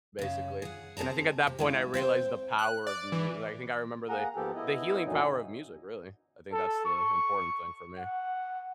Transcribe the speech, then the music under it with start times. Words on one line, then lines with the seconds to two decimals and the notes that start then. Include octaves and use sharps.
basically, and I think at that point I realized the power of mu I think I remember the the healing power of music, really. I think that's the important thing for me.
0.19 F#2 C#3
0.62 G#4 F#5
0.97 D3 C4 G#4 A5 A#5
1.47 C3
1.59 C#3 G#3 E4
1.94 C4 C5 F5 G5
2.58 F#6
2.87 D5
3.12 E3
4.09 A#3 G#4 F#5 A#5
4.36 G#2 F3 A#3 B3 G4 A4
4.55 B3 E4 D#5
5.05 F#2 A#2 D3 E3 F#3 D#4
6.52 A4
6.85 C#6
7.98 F#5